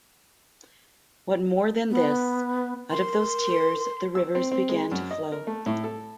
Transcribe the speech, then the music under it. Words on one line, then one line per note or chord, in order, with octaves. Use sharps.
What more than this, out of those tears, the rivers began to flow.
B3
A#4 C6
E6
C4
C4
G#3
F#2
D#5
A#4
A3
A2
A4